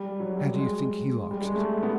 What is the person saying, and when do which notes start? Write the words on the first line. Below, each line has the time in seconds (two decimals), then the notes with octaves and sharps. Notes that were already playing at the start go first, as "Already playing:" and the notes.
How do you think he likes it?'
Already playing: G3
0.20 F#3
0.37 G3
0.54 G#3
1.31 G3
1.43 G#3
1.55 A3
1.83 B3